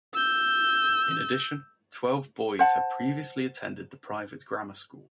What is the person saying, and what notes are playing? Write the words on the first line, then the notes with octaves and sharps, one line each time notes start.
In addition twelve boys had previously attended the private grammar school.
E6 G6
C5 F#5 A5